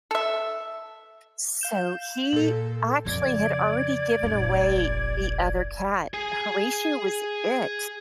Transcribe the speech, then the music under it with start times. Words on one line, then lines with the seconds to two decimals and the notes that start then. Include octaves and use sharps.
So, he actually had already given away the other cat, Horatio was it.
0.11 A4 E5
1.61 F5 G6 E7
2.33 A#2 A4
3.05 F2 C#3 D5 G#6
4.23 F1 A#1
6.14 G#4 G#5